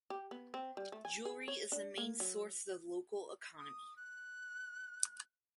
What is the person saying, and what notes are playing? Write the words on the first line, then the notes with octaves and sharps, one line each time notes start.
Jewelry is the main source of local economy.
G4
B3
C4
G3
A3
G#5
G#4
C#5
D4
A#3
F#3
D#6
F#6